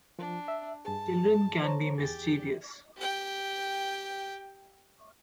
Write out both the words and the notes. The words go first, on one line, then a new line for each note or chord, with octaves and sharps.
Children can be mischievous.
F3 D4
E5
G2 G#4 A5
C5 C#5 A#5
E2 G4 G#4 A6
G4 G5